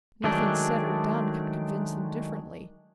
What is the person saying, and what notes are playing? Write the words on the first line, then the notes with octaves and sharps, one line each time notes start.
Nothing said or done can convince them differently.
D#3 F#3 G#3 A3 D4